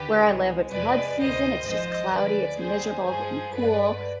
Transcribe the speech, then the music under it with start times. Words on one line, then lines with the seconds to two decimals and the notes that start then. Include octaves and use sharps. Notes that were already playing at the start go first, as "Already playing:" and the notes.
where I live, it's mud season, it's, just, cloudy, it's miserable but m cool
Already playing: D#2 D3 G4 B4
0.27 C2 B2 G#3
0.73 F2 C3 F3 G#3 B4 D5
1.20 D2 C3 D#3 G3 C5 D#5
1.67 G#1 G#2 F3 G#3 C5 D#5
2.14 D2 D3 F3 G#3 B4 D5
2.60 D#2 D3 G3 G#4 C5
3.07 G2 F3 G#3 G#4 C5
3.54 G2 D3 G#3 B4 D5